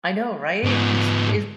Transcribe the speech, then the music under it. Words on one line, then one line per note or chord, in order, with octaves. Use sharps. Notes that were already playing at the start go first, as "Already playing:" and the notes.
I know, right? It's it's
G#2 B3